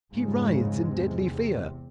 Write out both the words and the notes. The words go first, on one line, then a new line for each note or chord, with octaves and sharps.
He writhes in deadly fear.
F2 G#2 C#3 G#3
E2 C3